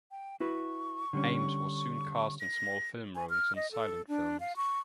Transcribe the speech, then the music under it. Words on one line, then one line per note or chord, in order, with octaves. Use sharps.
Ames was soon cast in small film roles in silent films.
G5
E4 F#4 B4 C#6
D3 G3 C#4
A#6
G#5
F6
D#5
A4
D4
F5
C#6